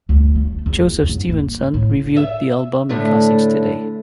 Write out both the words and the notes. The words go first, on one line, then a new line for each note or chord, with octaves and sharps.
Joseph Stevenson reviewed the album in "Classics Today".
D2
A3
E2
G#2
A#3
A2
E5
A2 D3 A3